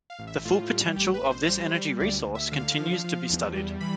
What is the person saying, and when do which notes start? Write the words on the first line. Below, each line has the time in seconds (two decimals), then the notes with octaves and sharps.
The full potential of this energy resource continues to be studied.
0.10 F5
0.19 A1
0.27 E5
0.45 A2 F4
0.70 G3
0.96 A1 G4
1.14 B4
1.22 A1
1.31 C5
1.48 G3
1.74 G3
2.00 D2 D5
2.26 D2
2.35 E5
2.51 D3 F5
2.77 F3
3.04 F3
3.29 E2
3.55 G3
3.81 E3 B5